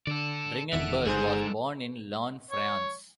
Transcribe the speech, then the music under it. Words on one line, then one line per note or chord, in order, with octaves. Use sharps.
Dringenberg was born in Laon, France.
D3 A4 D5
E1 E2 D#3 A4 E5 F#5
G1 G#2 G#4 C5
C#5